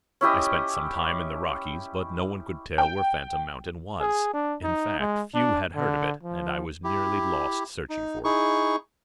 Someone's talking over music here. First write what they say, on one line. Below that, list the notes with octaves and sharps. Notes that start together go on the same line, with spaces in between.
I spent some time in the Rockies, but no one could tell where Phantom Mountain was; in fact, few had heard of it, and I was nearly lost searching for it.
C#4 E4 G4 D#5
G5
G#4
D4
D#4
G#3
D4
D3
F3
E4 G4
D#4
D#4 E4 G#4 C#6